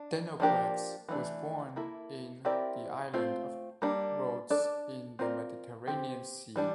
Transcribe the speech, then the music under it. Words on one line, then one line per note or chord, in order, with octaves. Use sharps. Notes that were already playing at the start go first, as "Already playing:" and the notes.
Denocrates was born in the island of Rhodes in the Mediterranean Sea.
Already playing: D4
F3 A#3 D4 G4 A#4
E3 A3 D4
A#3 E4 A4
C4 E4 G4 A#4 D5
A3 C4 F4
G3 A#3 D4
D4 A4 D5
C4 F4 A#4 D5
C4 G4 C5
E3 G3 D4